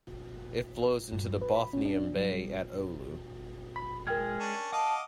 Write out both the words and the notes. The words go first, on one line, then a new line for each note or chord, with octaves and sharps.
It flows into the Bothnian Bay at Oulu.
G2
G2
B4
B5
C#4
D4
F#3
G3
B5 B6
G#3 G#4 A#4 G5 F6 G#6
C#4 D4
D#5 F5 F#5 A5 D6